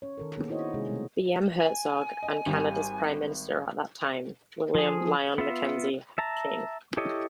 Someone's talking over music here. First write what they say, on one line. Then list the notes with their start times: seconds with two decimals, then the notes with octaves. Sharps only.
B. M. Hertzog and Canada's Prime Minister at that time, William Lyon Mackenzie King.
0.02 C#4 C#5
0.18 D#3 A4 A#4
0.36 A#3 B3 G#4
0.49 D#4 E4 F#4 C5 C#5 D#5
0.74 C3 G#3 C#4 G#4
0.89 B2 G3 A3 C4
1.61 G#5
2.23 D#5
2.46 G#1 G3
4.75 F3 G#4
5.38 B3 F4 E5
6.18 E5 A5 A#5
6.97 E4 G4 A4 C#5 D#5